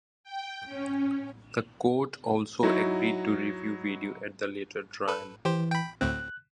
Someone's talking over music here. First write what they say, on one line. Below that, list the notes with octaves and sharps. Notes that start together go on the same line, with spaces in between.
The court also agreed to review video at the later trial.
G5
C#4
F#3 D#4 E4 F#4
A4 B4
E3 G4 C5
G5 B5
D2 A2 C4 F#6